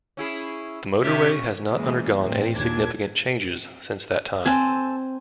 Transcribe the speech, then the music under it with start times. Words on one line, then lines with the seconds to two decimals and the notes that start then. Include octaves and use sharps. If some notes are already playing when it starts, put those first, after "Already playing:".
The motorway has not undergone any significant changes since that time.
0.17 C#4 E4 G#4
1.03 C3 C#4 G4 E5
1.70 C#3 E3 G#3 A#3
2.24 A2 C4
2.55 D#2 A#2 D4 G#6
4.46 C4 A4 G#5